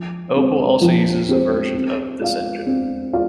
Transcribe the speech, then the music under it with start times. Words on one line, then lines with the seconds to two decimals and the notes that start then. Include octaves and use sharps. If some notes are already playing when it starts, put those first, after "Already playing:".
Opel also uses a version of this engine.
Already playing: F3
0.36 C4 G4 C5
0.81 F3
1.29 C4 G4 C5
1.75 C4
2.21 F4 D5 F5
2.67 C4
3.13 F4 D5 F5